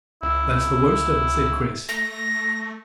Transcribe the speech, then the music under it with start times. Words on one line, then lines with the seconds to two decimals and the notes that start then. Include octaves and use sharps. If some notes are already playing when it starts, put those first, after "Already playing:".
"That's the worst of it," said Chris.
0.23 C#2 E4
1.89 A3 A#6